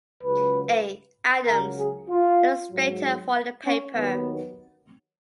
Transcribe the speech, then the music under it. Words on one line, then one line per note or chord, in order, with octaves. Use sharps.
A. Adams, illustrator for the paper.
C#2 C#3 F#3 B4
C#2 C#3 F#3 A#4
G#4
F4
G#2 F#3
C#4
D#2 D#3 F#3 B3